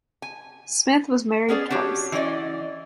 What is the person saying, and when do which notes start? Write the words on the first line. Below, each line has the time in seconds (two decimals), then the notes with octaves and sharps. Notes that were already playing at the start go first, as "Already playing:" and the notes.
Smith was married twice.
0.22 G#5
1.48 B3 C#4 G#4 D5
1.70 D4 F#4 G4 C#5
2.12 E3 B3 C#4 D5 D#5